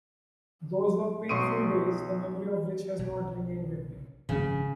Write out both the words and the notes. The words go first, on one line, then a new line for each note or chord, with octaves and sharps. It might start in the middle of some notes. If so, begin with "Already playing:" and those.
Those were painful days, the memory of which has not remained with me.
B1 C6 C#6 D#6 D7 D#7
B1
G#1 C#3 F3 C#4